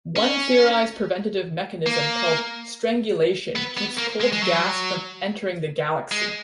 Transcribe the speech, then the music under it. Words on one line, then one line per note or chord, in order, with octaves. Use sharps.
One theorized preventive mechanism called "strangulation" keeps cold gas from entering the galaxy.
C#4
A#3
B3
B3
A#3
G#3
G#3
F#3
G#3